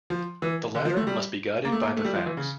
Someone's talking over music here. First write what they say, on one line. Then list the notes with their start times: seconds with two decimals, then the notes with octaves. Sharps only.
The latter must be guided by the facts.
0.10 F3
0.42 E3
0.75 D3
0.85 F3
0.96 A3
1.07 G3
1.65 A#3
1.72 A3
1.83 A#3
1.97 A3
2.05 G3
2.15 F3
2.26 E3
2.37 C#3